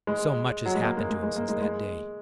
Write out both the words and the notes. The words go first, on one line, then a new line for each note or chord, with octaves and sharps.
So much has happened to him since that day.
G#3
F#3
G#3
A#3
G#3
G#3
G#3
A#3
G#3
G#3